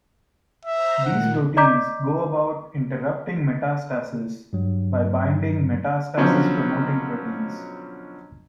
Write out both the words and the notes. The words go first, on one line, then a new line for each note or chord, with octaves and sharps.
These proteins go about interrupting metastasis by binding metastasis-promoting proteins.
C5 E5 A#5
A#2 D#3 F#5
D5 D#5 A#5 D6 G6 B6
G2 F#3
B2 D3 F3 F#3 C#4